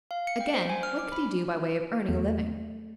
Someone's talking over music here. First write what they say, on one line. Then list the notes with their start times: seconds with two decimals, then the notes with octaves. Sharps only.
Again, what could he do by way of earning a living?
0.11 F5
0.27 C#7
0.41 G5
0.54 C5
0.70 G#5
0.83 F6
0.99 D6
1.12 B5
2.09 E2 A3